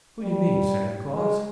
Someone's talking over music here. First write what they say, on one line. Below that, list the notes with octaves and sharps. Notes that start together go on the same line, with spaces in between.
"Who you mean--Santa Claus?"
G3
G#3